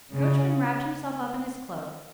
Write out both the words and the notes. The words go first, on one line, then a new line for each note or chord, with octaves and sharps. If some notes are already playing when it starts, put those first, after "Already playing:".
The coachman wrapped himself up in his cloak.
C#3